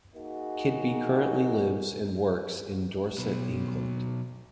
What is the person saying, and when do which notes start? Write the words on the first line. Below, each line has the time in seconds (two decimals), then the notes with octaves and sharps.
Kidby currently lives and workes in Dorset, England.
0.16 A#3 D#4 F#4 G#4
3.18 B2 F#3